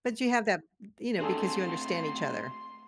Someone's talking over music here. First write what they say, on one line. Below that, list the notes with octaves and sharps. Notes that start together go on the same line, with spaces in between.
But you have that th you know, because you understand each other
A2 C4 D4 G#4 A4 C6